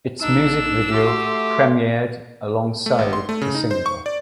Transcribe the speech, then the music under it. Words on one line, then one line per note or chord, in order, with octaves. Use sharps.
Its music video premiered alongside the single.
A#1 D4 D#4 E6
A3 F#4 G4 C6
A3
G#1
C6
A3
C#3
D#4
C5
C#6
D5